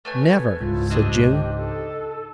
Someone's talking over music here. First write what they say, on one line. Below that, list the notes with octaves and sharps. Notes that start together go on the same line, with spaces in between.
"Never," said June.
A3 B4 C#5 G#5
C#2 G#2 E4 F4
C4 D4 D#4 G4 D#5
A4